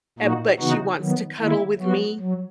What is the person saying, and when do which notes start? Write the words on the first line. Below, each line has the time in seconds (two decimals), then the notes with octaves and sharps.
Eh, but she wants to cuddle with me.
0.19 A#2 A#3 D#4 F#4
0.59 C#3 E3 B3 D#4 F#4
0.99 D#3 F#3 B3
1.39 D#3 A#3 E4
1.79 F#3 B3 F#4
2.19 F#3